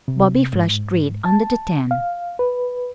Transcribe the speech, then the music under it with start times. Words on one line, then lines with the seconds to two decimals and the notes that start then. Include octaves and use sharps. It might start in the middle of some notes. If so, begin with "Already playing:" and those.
Bobby flushed red under the tan.
0.08 C3
0.53 G#2
1.26 A5
1.91 F5
2.39 B4